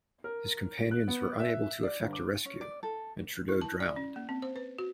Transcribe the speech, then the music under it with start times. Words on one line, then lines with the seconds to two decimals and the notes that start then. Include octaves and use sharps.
His companions were unable to effect a rescue, and Trudeau drowned.
0.24 A#4
0.78 D7
0.91 F#6
1.08 B3
1.40 E5
1.83 D5
2.00 G1
2.13 D6
2.45 C#4
2.61 D5
2.83 A4
3.49 E4
3.61 A5
3.80 D5
3.96 C#4
4.16 A#3
4.29 C4
4.42 C5
4.56 B4
4.79 F#4